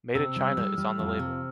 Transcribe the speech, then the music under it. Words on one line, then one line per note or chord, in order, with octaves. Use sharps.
Made in China is on the label.
C3 E6
G3
E6
F6
G3
G3 F6
F2
F6
C3